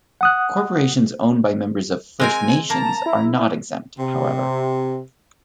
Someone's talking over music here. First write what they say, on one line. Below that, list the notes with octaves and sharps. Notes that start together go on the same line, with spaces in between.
Corporations owned by members of First Nations are not exempt, however.
F#5 D#6 F#6
G#3 C4 A#4 G#5
A#3 A5 A#5
E4
C3